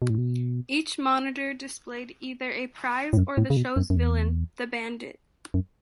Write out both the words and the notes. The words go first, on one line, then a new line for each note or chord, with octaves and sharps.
Each monitor displayed either a prize or the show's villain, the bandit.
B2
A2
B2
A2
F#2
A2
C#3
B2
F#2
F#2
E2
F#2